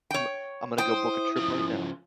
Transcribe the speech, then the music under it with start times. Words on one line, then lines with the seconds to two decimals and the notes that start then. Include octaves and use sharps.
I'm I'm gonna go book a trip right now.
0.11 C#5 G5
0.78 E4 C5 G5 D#6
1.36 C#3 F3